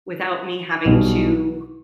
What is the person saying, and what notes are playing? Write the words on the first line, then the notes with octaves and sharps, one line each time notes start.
without me having to,
B1 B2 G3